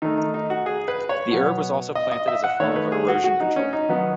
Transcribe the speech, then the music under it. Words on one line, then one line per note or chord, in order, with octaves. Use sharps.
The herb was also planted as a form of erosion control.
D#3 A3 D#4
D#4
D#4
F#4
G#4
B4
C#5
B2 F#3 B3
D#5
D#5
E5
F#5
D#3 A3 C#5
B4
G#4
F#4
F#4
D#4
C#4
D#4
D#3 F#3 B3